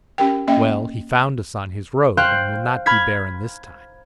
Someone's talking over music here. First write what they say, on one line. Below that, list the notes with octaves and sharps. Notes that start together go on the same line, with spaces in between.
Well, he found us on his road and will not be baron this time.
C#4 G4 A#4 G5
A#3 C#4 D#5 E5 G5
C5 F5 G5 C6 F#6
B5 F6 G#6 B6